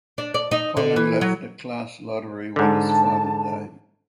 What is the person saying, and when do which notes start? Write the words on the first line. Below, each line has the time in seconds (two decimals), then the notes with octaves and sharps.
Collin left the Class Lottery when his father died.
0.18 D4
0.34 D5
0.51 D#4
0.77 D3
0.96 E3
1.21 F#3
2.56 G#2 D3 A5